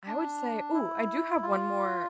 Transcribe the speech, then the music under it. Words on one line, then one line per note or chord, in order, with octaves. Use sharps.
I would say ooh, I do have one more
D4
E4
F4